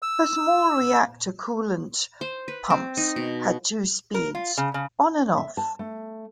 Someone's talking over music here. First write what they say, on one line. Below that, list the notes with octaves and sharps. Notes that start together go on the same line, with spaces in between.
Her small reactor coolant pumps had two speeds: On and Off.
E6
C5
B4
C4
D#4
B2
A#4
F4
C#3
C#3
E5
A5
A3